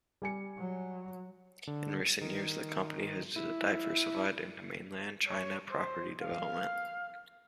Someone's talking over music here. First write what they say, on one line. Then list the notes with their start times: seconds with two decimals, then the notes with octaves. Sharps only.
In recent years, the company has diversified into mainland China property development.
0.22 G3 G#5 C#7
0.58 F#3
1.67 D3
2.21 D#3
3.36 E4
5.27 C#5
5.71 C5
6.22 F5